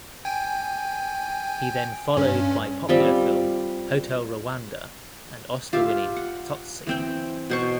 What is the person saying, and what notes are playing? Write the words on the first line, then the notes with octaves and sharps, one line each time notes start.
He then followed by popular film "Hotel Rwanda" and Oscar Winning "Tsotsi".
G5 G#5
G2 C#4
G3 C4 F4
F4 G4 E5
F#5
E3 C4 G5
B2 C5 C#6